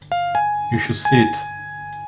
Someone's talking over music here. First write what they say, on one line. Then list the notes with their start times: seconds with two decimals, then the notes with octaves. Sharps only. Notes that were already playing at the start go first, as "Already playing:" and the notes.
You should see it.
0.12 F5
0.35 G#5
1.05 G#5